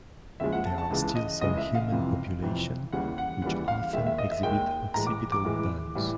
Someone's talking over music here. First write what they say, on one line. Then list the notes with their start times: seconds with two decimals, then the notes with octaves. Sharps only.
There are still some human populations which often exhibit occipital buns.
0.40 D#2 C#3 F3 G#3 E5
0.53 F#5
0.66 A5
0.78 A5
0.91 C#2 C#3 E3 G#3 A5
1.15 D#5
1.41 C#2 C#3 E3 G#3 D#5
1.57 E5
1.75 F5
1.92 F2 C3 E3
2.42 F2 C3 E3
2.93 D#2 C#3 E3 G3 F#5
3.18 F#5
3.42 D#2 C#3 E3 G3 F#5
3.68 F5
3.93 D#2 D#3 G#3 E5
4.06 E5
4.18 D#5
4.31 E5
4.43 D#2 D#3 G#3 G5
4.94 A2 E3 G#3 A#5
5.07 D6
5.32 D6
5.45 A2 E3 G#3
5.95 A2 E3 G3